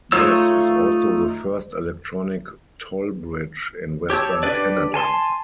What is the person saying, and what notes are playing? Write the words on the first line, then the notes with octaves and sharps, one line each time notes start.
This is also the first electronic toll bridge in Western Canada.
A3 D#4 F4 C#5 E6
G4 C#5 A5 E6
D4 G4 B4 D5
G#5 A5 C6